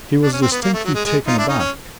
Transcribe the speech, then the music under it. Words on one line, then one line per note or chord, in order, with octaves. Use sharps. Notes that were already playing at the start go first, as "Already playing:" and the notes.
He was distinctly taken aback.
D4
C#4
C4
B3
A#3
A3
F#3
G#3
G#3
D#4 F4
D4 E4
C#4 D#4
C#4